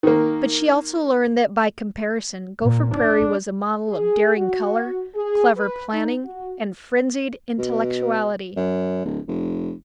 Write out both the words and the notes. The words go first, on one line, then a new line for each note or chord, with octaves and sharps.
But she also learned that by comparison Gopher Prairie was a model of daring color, clever planning, and frenzied intellectuality.
D#3 A#3
A#2
D4
G#4
F#4
G#4
B4
D#4
F#4
B2
F#2
D1
F1